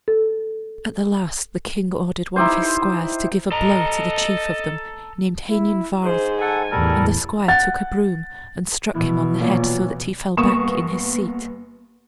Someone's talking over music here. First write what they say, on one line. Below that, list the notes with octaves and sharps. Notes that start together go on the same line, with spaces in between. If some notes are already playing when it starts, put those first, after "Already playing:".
At the last the king ordered one of his squires to give a blow to the chief of them, named Heinin Vardd; and the squire took a broom and struck him on the head, so that he fell back in his seat.
A4
D#4 E4 G4 C5
A4 D#5 A#5
E4
G#2 G#4 C5
A4 F#5 G#5
E2 A2 G3 A4 A#4
F#5 A6
B2 E3 F3 E4
A#2 F#3 F4
G1 A#3 B3 C#6 D#6 E7